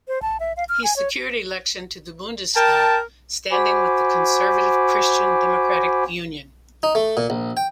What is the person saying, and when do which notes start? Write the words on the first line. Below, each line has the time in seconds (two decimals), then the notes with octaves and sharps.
He secured election to the Bundestag standing with the conservative Christian Democratic Union.
0.08 C5
0.22 A5
0.40 E5
0.57 F5
0.69 F6
0.84 G#5
0.96 C#5
2.56 A#4 G5 A5
3.52 F#4 C5 G#5 B5 D6
6.83 D#4
6.95 A3
7.17 A#2
7.30 A#1
7.57 G5